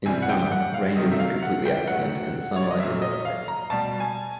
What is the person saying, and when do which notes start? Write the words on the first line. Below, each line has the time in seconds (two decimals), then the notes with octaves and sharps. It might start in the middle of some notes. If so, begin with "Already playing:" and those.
In summer, rain is completely absent and the sunlight is at a maximum.
0.05 C3 E3 G3 G#5
0.22 F#5
0.29 G5
0.52 F#5
0.74 F5
0.97 C3 D#3 F#3 A3 D#5
1.12 E5
1.19 F5
1.42 F#5
1.66 G5
1.88 A2 F#3 A3 F#5
2.56 C#5
2.63 D5
2.71 D#5
2.79 A#2 F#3 A3 E5
3.02 D#5
3.25 F5
3.48 A#5
3.70 B2 G3 A5
4.00 G#5